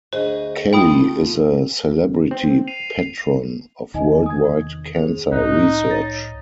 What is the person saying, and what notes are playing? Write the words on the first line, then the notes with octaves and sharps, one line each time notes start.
Kelly is a celebrity patron of Worldwide Cancer Research.
D2 G#4 C5 D#5
A3 F4 G5 B5 D#6
C4
C7 D#7 F7
E2 C3 D#3 D#4 D#5 G#5
D#6 G#6
G#4 C5 F7
C2 A2 D#4 F#6
C#5 A6 A#6